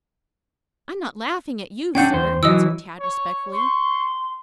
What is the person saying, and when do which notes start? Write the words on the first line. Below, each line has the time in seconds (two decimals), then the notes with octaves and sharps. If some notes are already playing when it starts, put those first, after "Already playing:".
"I am not laughing at you, sir," answered Tad respectfully.
1.95 C#4 D4 F#5 G5 G6
2.14 E2 C5
2.43 E3 F#3 D#5 D#6 E6
3.00 C#5
3.53 C6 C#6